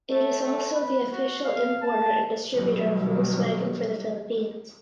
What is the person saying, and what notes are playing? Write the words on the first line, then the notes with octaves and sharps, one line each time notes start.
It is also the official importer and distributor of Volkswagen for the Philippines.
A3
A3
B4
F#4
F5
A5
B2 D#3 F#3 G3